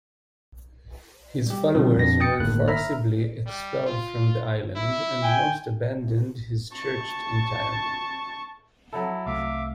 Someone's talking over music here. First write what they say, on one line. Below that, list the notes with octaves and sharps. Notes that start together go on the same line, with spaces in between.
His followers were forcibly expelled from the island, and most abandoned his church entirely.
G3 G4
B2 D3 D#3 F3 G3 C4
F2 D4 A#6
G5 D#6 A6 C#7
G1 A2 D#3 A#3 F#6
E5 A#5 B5 F6
G3
F4
E4
G5 G#5
A5 C#6
F#3 E4 A4
C2 A3 E5 F5 D6